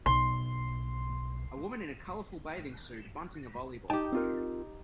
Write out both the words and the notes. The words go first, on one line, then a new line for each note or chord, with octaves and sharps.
A woman in a colorful bathing suit, bunting a volleyball.
B1 C6
D#4 G4 G5 A5
C4 F4 A#4